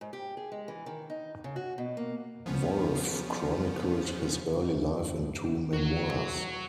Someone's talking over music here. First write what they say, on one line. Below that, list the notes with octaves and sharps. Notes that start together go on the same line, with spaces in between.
Wolff chronicled his early life in two memoirs.
G#2
G4
G#4
G#3
E3
D#3
D#4
C#3
F#4
B2
A#3
F3 B3 C#4
D3
A3
G2
G2
F#3 F#4